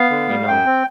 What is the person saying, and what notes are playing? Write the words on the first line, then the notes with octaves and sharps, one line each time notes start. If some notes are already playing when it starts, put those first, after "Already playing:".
You know?
Already playing: B3 F5
D3
G3
F#2 G5
C4